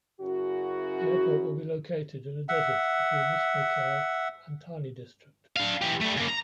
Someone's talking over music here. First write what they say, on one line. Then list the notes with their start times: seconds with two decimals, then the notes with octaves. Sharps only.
The airport will be located in a desert between Ismailkhel and Tani District.
0.21 F#2 C#3 E4 F#4
2.49 E5 F#5
5.57 D4 F5
5.81 E3 G4
6.01 G3 A3
6.16 C#3 A#3
6.28 A#5